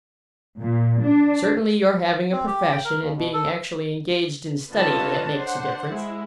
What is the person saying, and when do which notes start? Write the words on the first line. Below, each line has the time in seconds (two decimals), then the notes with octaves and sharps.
Certainly, your having a profession, and being actually engaged in studying it, makes a difference.
0.60 A#2
1.03 D4
2.32 C4
2.46 G4
2.72 G5
2.85 A#4
3.01 D#2
3.17 B2
3.34 A4
4.73 D3 F4 B4 C#5 D#5 A5
5.35 D4 C5 F#5
5.90 G#3 E4